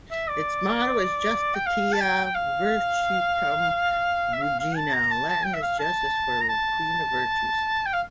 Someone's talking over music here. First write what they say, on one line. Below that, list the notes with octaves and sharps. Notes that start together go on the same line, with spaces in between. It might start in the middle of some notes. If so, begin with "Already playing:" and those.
Its motto is "Justitia Virtutum Regina", Latin for "Justice is Queen of Virtues".
E5
D5
G5
F5
A5
G5
G5
F5
E5
F5
F5
A5
A#5
A5
A5
G5
E5
F5
A5
A#5
A5
G5
F5